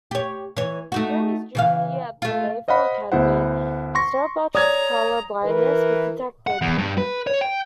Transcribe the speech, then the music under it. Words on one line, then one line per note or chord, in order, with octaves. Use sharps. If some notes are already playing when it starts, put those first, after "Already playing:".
During his junior year at the Naval Academy, Staubach's color-blindness was detected.
G4 C#5
E3 C#5
A3 D#4 F#4
C#3 E3 F5
A3 F4
C5 D#5 F5 F#5 B5
D2 B3 E4 C5 F#5
C6 C#6 A#6
C#5 D5 A#5 D#6 G#6
E3 A#4 B4
F#5
E2
G2
B4
C#5
G5